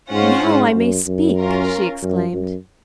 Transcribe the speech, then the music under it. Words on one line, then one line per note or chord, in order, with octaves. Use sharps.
"Now I may speak!" she exclaimed.
G#2 C#4 F4 C5 F#5
G#2
F#2
F#2
C#4 F4 A#4
F#2
F#2